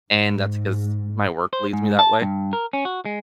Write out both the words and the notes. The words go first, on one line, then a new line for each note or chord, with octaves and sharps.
and that's because my work leaves me that way.
G#2
C5
G#2
A5
G2
A#4
C#4
F#4
G#3